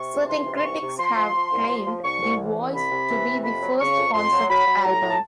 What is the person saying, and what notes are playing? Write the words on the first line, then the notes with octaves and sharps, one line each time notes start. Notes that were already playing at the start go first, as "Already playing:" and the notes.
Certain critics have claimed "The Voice" to be the first concept album.
Already playing: C3 C#6
C#2
E3 C6
C3
C6
C2 C#6
C3
F3 C6
F3
F3
C2
F3
F3
C2 C#6
C2
E3
C2
C3 B5
C3
E3
C3
F2 B5
F#3
C#3 C#6
F2
F2 C6
F#3
F#3 B5
F#3
A2 A#5
A2
A5